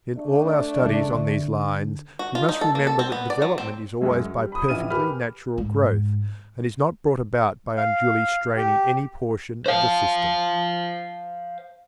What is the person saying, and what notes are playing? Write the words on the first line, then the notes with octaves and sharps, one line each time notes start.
In all our studies on these lines we must remember that development is always by perfectly natural growth and is not brought about by unduly straining any portion of the system.
A3 D4
C#3 G#3
D3
F#4
F4
D#4
A4
A#3
A4
C4
B3
D5
F#3
C4
F#2 G#3 A3
G3
B5 D#6
A1 F2 E4 F6 D#7
G4 G#4 A#4 B4 B5 F6
G#2
F5
G4
C5 F5